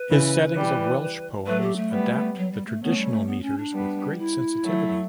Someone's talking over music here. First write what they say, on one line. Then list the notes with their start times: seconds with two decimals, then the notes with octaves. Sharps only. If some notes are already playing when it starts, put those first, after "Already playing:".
His settings of Welsh poems adapt the traditional metres with great sensitivity.
Already playing: B4
0.11 C#3 E3
0.56 E3 G3
1.46 F#3 A3 B4
1.61 G4
1.76 A3
1.91 G3 B3
2.37 F#3
2.52 G3
2.66 A3
2.82 A3 B3 C#4
2.97 G3
3.12 A3
3.27 B3
3.42 C#4
3.58 D4
3.73 G3 B3
4.17 E4
4.63 F#3 A3